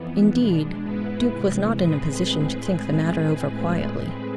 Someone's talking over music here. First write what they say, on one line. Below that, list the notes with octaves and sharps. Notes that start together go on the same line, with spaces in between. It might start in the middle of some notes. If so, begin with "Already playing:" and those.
Indeed, Duke was not in a position to think the matter over quietly.
Already playing: F2 E3 B3
B2 G#3 D4
G#2 G#3 B3 E4 B4
C3 E3 G#3
A2 G#3 C4 G#4 B4